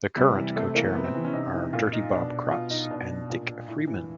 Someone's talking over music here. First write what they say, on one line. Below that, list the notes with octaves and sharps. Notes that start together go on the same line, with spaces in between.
The current co-Chairmen are "Dirty Bob" Krotts and Dick Freeman.
C3 G3
E3
C3 A3
E3 A#3
C3 B3
C4
E3
C#4
C3 D#4
E3
A#2 F4
D#4
B2 D4
B2 F4
D#4
B2 D4
A#2
A2
E3